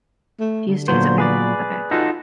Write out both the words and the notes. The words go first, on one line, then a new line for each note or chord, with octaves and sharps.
Few states, okay, okay.
A3
D3
A#2 F#3 B3 C5
G#4 B4 D5
D#4 F4 F#4 A4